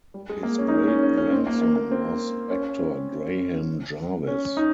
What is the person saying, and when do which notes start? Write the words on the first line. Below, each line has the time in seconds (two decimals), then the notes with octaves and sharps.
His great-grandson was actor Graham Jarvis.
0.14 G3
0.29 G#3
0.43 A#3
0.58 C#4
0.68 D#4
0.73 C#4
0.88 C#4
1.03 C#4
1.17 C#4
1.32 C4
1.47 A#3
1.62 A#3
1.76 A#3
1.91 C4
2.50 C#4
2.80 C4
4.27 C#4
4.57 D#4